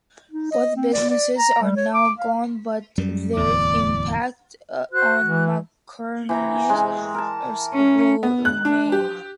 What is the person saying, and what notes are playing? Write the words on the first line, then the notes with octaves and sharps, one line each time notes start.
Both businesses are now gone, but their impact on Macquariums will remain.
D#4
D#5
C4
D5
D5
A#5
G3
C#5
D6
F5
F#2 G3
D1 E2 D5
F#4 C5 F#6
E3
E3 G5 A#5
G#3
A#4 A5
C#4
B3
F#6
D4
G4